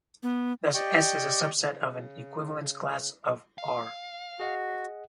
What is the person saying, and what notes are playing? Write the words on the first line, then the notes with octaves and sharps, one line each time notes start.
Thus, "S" is a subset of an equivalence class of "R".
B3
G4 D5 D#5 G5 C#6
C#3
F5
F#4 G#4 D#5 F#5